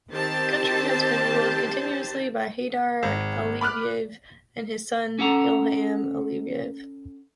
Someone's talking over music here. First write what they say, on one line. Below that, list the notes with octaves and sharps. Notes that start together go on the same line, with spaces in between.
The country has been ruled continuously by Heydar Aliyev and his son Ilham Aliyev.
D#3 C4 G4 C5 A5
G#1
B5 D6 F6 F#6
C#4 A4 F#5 A#5